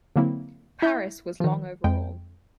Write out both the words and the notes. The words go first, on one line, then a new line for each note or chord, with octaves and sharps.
"Paris" was long overall.
D3 F#3 A#3 C4 E4
E4 E5 G6
D#3 F3
F2 G#3 G5